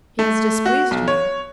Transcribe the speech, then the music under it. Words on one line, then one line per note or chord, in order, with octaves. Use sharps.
"He has displeased me."
A3
F#4
B1
C#5